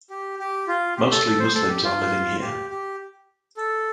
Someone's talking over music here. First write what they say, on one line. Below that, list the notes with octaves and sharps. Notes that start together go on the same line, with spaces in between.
Mostly Muslims are living here.
G4
G4
F4
G4
A4
A4
C5
A4
G4
F4
G4
G4
A4